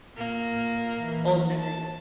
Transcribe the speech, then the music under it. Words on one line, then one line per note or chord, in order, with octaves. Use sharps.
old memories.
A#2 A#3
E3
A5